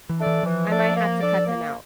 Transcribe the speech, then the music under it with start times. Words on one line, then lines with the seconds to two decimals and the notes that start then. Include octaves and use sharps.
I might have to cut them out
0.09 E3
0.18 A3 D4 A4 D5
0.26 E3
0.43 E3 F3
0.70 A3 D4 A4 D5
0.95 A#3
1.20 D4 A4 D5
1.46 A#3